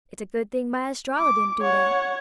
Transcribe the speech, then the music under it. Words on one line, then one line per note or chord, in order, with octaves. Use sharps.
It's a good thing my Estralla didn't do that!
D6
C#5 F#5